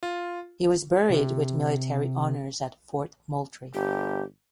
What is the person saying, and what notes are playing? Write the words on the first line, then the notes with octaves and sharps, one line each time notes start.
He was buried with military honors at Fort Moultrie.
F4
C3
G1 G4